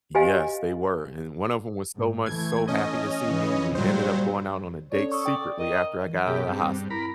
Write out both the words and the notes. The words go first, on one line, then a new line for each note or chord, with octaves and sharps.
Yes, they were, and and one of 'em was so much, so happy to see me, we ended up going out on a date secretly after I got out of the hos
G4 C5 D#5 F5 G#5
G#2
E3 A3 G#6
C#4 D#5
C#3 E3
A#2 F#3 G3 C5
C#4 A4 C#5 D5
A4 C#6 D#6
D5 G5
A#4 D#5
E3
B2 G4 G#4
G2 C4
E4 A#4 B5